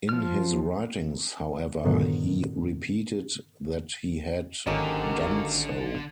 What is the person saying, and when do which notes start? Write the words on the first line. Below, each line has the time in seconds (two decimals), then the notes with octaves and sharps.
In his writings, however, he repeated that he had done so.
0.09 F3 F6
1.84 G2 A#2 D3 D#3 F#3 B3
4.67 G#1 G#2 D3 F#3 A#3 C#4 D#4 G4